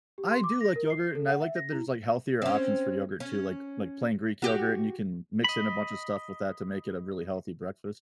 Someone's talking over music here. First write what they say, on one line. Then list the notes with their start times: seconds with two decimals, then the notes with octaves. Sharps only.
I do like yogurt, and I like that there's, like, healthier options for yogurt too, like like plain Greek yogurt, and you can mix in a bunch of stuff with that to make it a really healthy breakfast.
0.18 G4
0.31 C6
0.44 D6
0.61 A#6
0.76 A#4
0.90 C7
1.15 A4
1.28 F#5
1.41 E5
1.56 A#6
1.73 E4
2.42 C4 C#4
3.20 C#4
4.42 F#4 G4
5.44 D#5 B5